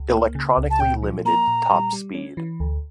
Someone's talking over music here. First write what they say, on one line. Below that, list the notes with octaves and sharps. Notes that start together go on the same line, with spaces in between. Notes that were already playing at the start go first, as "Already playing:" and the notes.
Electronically limited top speed.
Already playing: C#2
A#3
C#3
C#2
A5
A#2 G5
F3
A#3 A#5
A#2
G3
G3
C#4
E3
D2